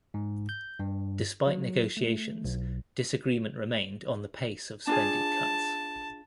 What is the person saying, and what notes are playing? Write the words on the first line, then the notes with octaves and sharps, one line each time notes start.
Despite negotiations disagreement remained on the pace of spending cuts.
G#2
G6
G2
F#3
A3
B1
D4 F4 G#4 A5